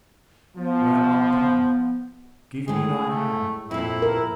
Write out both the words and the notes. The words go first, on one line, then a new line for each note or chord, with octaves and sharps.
Where art thou? Give me thy hand!
F3 B3
A2 G#3 G#4
A3
F2 A#2 E4
A#4